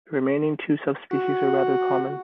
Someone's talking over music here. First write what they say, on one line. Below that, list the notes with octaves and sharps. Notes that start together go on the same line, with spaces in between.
The remaining two subspecies are rather common.
F#4